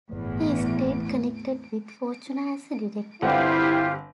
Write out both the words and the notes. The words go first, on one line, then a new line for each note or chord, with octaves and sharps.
He stayed connected with Fortuna as a director.
G1 E2 A2 E3
G1 C4 E4 F4 G4 F#5